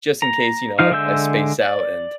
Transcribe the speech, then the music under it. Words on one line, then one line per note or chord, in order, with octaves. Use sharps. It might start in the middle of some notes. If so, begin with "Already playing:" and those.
just in case, you know, I I space out and,
A#5
F3 D#4 F5
D3 G#3 E5 E6 G6
D5